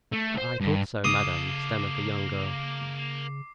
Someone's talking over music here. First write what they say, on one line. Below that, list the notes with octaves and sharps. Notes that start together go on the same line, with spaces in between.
"I thought so, madame," stammered the young girl.
A3
C5
G2
C#3 A#3 A4 D6 D#6 C7